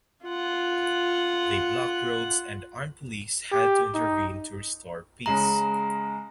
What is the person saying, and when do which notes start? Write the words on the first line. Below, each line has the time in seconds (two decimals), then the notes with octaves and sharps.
They blocked roads and armed police had to intervene to restore peace.
0.25 F4 F#5
3.52 G4
3.95 D#4
5.26 C#3 G#3 A#5 F#7